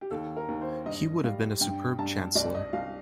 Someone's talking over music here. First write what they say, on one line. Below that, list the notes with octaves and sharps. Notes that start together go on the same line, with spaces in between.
He would have been a superb Chancellor.
G4
D#2 A4
A#4
D#2
C5
G2 D#5
G3 F5
G2 G5
G2 A5
C2 D5
D#5
C2 F5